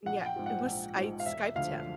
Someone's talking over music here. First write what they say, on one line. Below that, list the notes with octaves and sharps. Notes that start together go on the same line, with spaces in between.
yeah, it was I Skyped him.
A#1 F#5
G5
G#2 F3
F#5
A#1
G#2 F3
F5
E1 E5
D2 D3 F3 F5